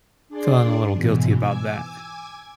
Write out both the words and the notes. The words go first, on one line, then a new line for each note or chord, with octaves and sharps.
feeling a little guilty about that.
D4 G#4 D5 C6
G#2 B2 E3
G#5 D6 E6 G#6